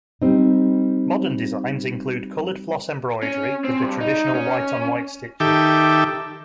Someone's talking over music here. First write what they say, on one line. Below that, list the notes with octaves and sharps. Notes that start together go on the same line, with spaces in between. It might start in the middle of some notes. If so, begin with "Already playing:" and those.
Modern designs include colored floss embroidery with the traditional white on white stitching.
G3 C4 D#4
C#4
C4
G2
D#4
C#4
D#3 G4 A4 E5 D6